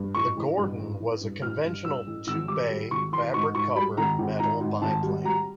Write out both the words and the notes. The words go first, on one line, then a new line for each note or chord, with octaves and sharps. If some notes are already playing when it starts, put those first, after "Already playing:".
The Gordon was a conventional two-bay fabric-covered metal biplane.
Already playing: G2
A1 C#6
A1
G2
A1
E3
G2
A1 F6
G2
G2 E6
A1
G#1 E6
G3 D6
G3
G#1 C#6
E3 C6
G#2 C#6
G#2 C#6
G3 B5
G#1 A#5
G#1
G#2 A#5
G#2
G#1 A5
G3
G3 A#5